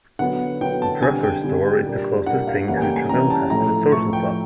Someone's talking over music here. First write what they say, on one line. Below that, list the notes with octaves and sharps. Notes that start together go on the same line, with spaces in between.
Drucker's Store is the closest thing Hooterville has to a social club.
D3 F#3 B3 F#5
D3 F#3 B3 G5
A5
D3 G3 C4 G#5
G5
D3 G3 C4
A#2 G3 A#3 D4
A#2 G3 A#3 D4 F#5
F5
C#3 E3 G3 A#3 C#4 F#5
G#5
G5
G#5
C#3 E3 G3 A#3 C#4 A#5
A5
A2 F3 A3 A#5
A2 F3 A3 C#6
G5